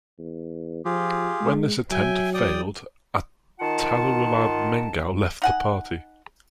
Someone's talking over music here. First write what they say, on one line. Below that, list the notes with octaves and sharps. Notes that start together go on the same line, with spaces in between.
When this attempt failed Ataullah Mengal left the party.
E2
F3 F4 G4 G#4
G#3
F#3 E5 G5 G#5
D5 G5 D#6
D#3 F4 F#5 A5
D#4 F#5 G#5